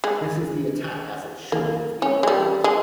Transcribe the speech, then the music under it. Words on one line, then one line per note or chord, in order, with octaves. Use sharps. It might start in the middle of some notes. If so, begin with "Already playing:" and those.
This is the attack as it should have been delivered.
G#3
A#3
C#4
G#3
G3
G#3